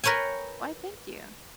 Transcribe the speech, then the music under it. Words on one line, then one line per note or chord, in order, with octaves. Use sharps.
Why, thank you.
A#4 B4 C#5 G5 G#5